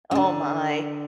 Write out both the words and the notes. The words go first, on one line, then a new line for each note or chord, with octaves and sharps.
Oh my.
C#3
D3